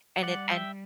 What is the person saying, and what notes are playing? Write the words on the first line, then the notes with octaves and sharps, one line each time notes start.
and it and
G3 D5 F#5
E5 G5